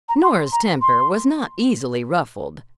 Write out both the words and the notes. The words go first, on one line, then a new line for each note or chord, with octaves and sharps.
Nora's temper was not easily ruffled.
A#5
C6
A#5
C6